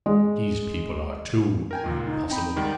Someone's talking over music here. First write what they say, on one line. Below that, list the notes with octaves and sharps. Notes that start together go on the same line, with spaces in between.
These people are too impossible.
G#3
A#4 G5 G#5
C#2 A#2 D#3 F4
D#4
C4 D#4 G5 B5
G#2 D#3 G3 G5